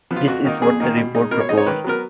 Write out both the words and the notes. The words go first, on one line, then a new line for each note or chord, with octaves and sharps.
This is what the report proposed.
F3 B3
F4
F2 F#4
D#3 A#3 D#4
F2 G#4
D#3 A#3 D#4
B2
G#3 D#4
B2 A#4
C#5
G#3 D#4 D#5
C#5
D#3 B4
F#3 B3 A#4